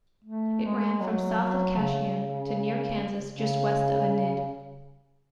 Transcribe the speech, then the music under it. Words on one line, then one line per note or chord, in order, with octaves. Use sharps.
It ran from south of Cashion to near Kansas just west of Enid.
A3
G#3
F#3
F#3
C#3
C#3